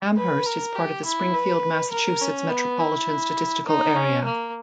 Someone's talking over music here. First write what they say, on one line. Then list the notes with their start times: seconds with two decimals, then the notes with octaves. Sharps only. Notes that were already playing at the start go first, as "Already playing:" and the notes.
Amherst is part of the Springfield, Massachusetts Metropolitan Statistical Area.
0.17 B4
0.46 A#4
0.75 G4
1.05 E4
1.34 B4
1.92 A#4
2.21 C#4
2.50 B3
2.79 E4
3.66 D#4
3.96 C#4
4.24 A#3